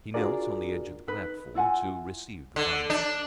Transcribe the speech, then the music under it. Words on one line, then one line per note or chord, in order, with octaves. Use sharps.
He knelt on the edge of the platform to receive the bundle.
D4 F4 F#4 G#4 A#4 D5
D#4 B4
E4 F4 F#5 G#5
D3
D4